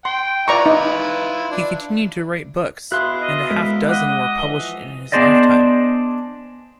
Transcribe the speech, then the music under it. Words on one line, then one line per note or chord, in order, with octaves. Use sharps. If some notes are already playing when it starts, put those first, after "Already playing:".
He continued to write books, and a half dozen were published in his lifetime.
G5 C6
E4 F4 B4 D5 A#5 C#6
D#4
D4
B2 E4 F#4 G#4 F5 C6 F#6
D#5
G#3 A4 A#4 B6
D#5 F#5 D6 F#6
E3 F3
B3 D4 G#4 C5 D5 D#5